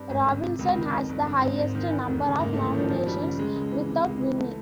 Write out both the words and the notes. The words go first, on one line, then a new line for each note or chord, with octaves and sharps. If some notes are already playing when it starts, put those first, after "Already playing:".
Robinson has the highest number of nominations without winning.
Already playing: G2 C4
G#1
D3
C3
C#2
D#3
F2
G1
D3
G#2 C4
G#1
D#3
E2
F1
C#3
G#2 A#3
A1 A3
E3
D#3 F3
F#2 F3
G1 G3
C#3 G3
C#3 G#3
C#2
E3
C3
C#2
E3
A3